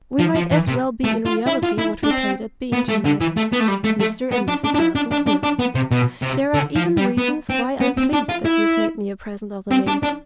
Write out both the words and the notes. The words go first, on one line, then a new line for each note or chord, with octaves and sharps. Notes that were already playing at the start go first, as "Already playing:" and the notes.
We might as well be in reality what we played at being to-night--'Mr. and Mrs. Nelson Smith.' There are even reasons why I'm pleased that you've made me a present of the name.
F3
F3
E3
C3
A3
F4
E4
F4
E4
D4
C4
B3
A3
D3
E3
A3
B3
A3
G3
A3
A3
B3
D4
D4
D4
E4
D4
D4
D4
D4
B3
C3
B2
C3
D3
F3
G3
B3
C4
B3
C4
D4
F4
E4
C4
D4
D4